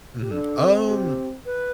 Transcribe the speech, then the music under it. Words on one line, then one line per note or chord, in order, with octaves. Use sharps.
Mhm. Um,
G4
D4 A4
C4
G4
B4